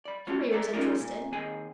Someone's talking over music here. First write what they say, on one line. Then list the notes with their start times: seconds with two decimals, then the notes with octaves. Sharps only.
Henry was interested.
0.05 D5 B5
0.27 A3 C#4 F4 C#5
0.51 G#4 A4 D5 E5 F#5 A#5
0.73 C#4 D#4 F4 G#4 A#4 D5
1.00 A#2
1.32 D#2 C4 G#4 D#5 G#5